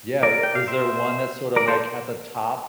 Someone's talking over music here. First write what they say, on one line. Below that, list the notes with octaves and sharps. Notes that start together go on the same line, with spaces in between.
Yeah, i is there one that's sorta, like, at the top
A#4 D5
G5
F5
C5 E5
A#4 D5
A4 C5